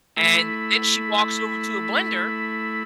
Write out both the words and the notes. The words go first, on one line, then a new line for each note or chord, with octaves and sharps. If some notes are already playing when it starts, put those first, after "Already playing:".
And then she walks over to a blender
A3 E4 B5